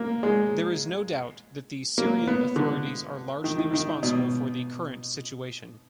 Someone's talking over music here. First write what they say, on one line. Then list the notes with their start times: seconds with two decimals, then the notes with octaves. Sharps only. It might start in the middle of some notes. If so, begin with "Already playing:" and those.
There is no doubt that the Syrian authorities are largely responsible for the current situation.
Already playing: A#3
0.23 G#3
1.98 A#3
2.27 B3
2.56 D3
3.44 D#3
3.58 D#3
3.74 D#3
4.03 B2